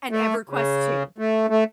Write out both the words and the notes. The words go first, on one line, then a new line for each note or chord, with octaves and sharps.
And EverQuest II.
A3
C#3
A3
A3